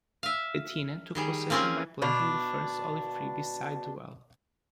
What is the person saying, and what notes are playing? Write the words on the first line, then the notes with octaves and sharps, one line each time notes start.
Athena took possession by planting the first olive tree beside the well.
E5 F5
D#3 G3 G#4
A#3 C4 C#4 F4 G#4 A#4
B2 D4 F5